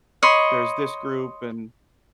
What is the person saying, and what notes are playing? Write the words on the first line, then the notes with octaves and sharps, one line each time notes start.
"There's this group and"
C#5 D#5 B5 C6